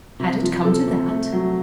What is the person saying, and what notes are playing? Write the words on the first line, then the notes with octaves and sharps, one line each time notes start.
Had it come to that?
C3
F3
C3 A4
C3
A3
F#3